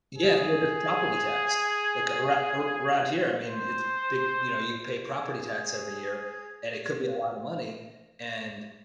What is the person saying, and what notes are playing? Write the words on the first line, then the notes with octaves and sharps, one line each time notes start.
Yeah, well, just property tax, like, aroun around here, I mean, it's big, you know, you pay property tax every year, and it could be a lotta money, and
G#4
C5
G#4